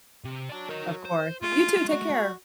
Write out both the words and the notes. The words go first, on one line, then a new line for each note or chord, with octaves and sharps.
Of course. You too. Take care.
C3
F#3 D5 A5
A#4 D#5
C5
G#3 A3 F4
F#4